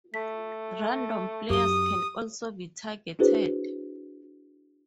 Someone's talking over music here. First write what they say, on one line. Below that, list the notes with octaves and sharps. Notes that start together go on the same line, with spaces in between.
Random players can also be targeted.
A3 B6
F#2 G4 D#6 G7
D4 E4 F#4 G#4 B4 C5